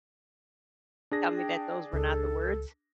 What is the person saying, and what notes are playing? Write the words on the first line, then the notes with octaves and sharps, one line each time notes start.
tell me that those were not the words.
D4 G#4 A#6
G5
C#2 A4